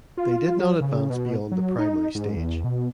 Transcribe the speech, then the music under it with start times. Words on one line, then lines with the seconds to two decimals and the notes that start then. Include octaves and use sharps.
They did not advance beyond the primary stage.
0.17 F4
0.59 F#3
0.81 C#3
1.10 B2
1.52 F#3
1.79 D#4
2.15 G#2
2.36 E2
2.64 B2